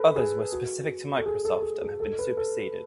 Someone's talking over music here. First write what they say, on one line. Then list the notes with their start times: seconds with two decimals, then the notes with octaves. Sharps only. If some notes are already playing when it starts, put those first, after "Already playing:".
Others were specific to Microsoft and have been superseded.
Already playing: A4 B4
0.16 G#4
0.52 F#4
1.18 A4
1.26 G#4
1.45 A4
1.62 G#4
1.82 G#4
2.00 A4
2.19 B4
2.37 A4